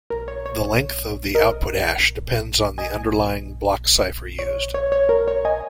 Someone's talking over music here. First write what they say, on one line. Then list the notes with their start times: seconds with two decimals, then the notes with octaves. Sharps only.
The length of the output hash depends on the underlying block cipher used.
0.10 A#4
0.28 C#5
0.46 C#5
1.35 A#4 D#5
2.78 D#5 G#5
4.39 C#5
4.74 C#5
4.92 C#5
5.09 A#4
5.28 C#5
5.45 D#5 G#5